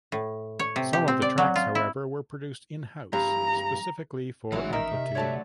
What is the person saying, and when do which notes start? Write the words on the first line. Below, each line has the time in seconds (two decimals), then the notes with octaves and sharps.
Some of the tracks, however, were produced "in-house" specifically for "Amplitude".
0.12 A2
0.59 C#5
0.76 C3
0.93 G4
1.08 C4
1.22 D5
1.38 F#3
1.56 F4
1.75 E4
3.13 G2 A#5
4.52 A1 D2 G#2 E3 F#3 E5
4.73 A1 D#3 A#4 E5
4.93 C3
5.15 D3 F#3 A3 C#5 D5 A5